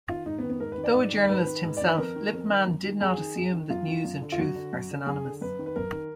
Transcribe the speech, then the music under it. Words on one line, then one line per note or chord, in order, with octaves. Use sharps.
Though a journalist himself, Lippmann did not assume that news and truth are synonymous.
D#3 F4
G#2 D#4
B3
D#3
B3
G#2 A#4
B4
D#3
D5
B4
G#2 D5
D#3
D5
G#2 B4
D#3
G#2
D#3 D5
B4
F2 A#4
D#3
F2
D#3
F#2
D#3
F#2 G#4
D#3
F#2
D#3
F#2 F4
D#3
F#2
D3
F4
F#2 F#4
D3
F#2
D3
F#2 G#4
D3
F#2 B4
D#3
B4
F#2 A#4
D#3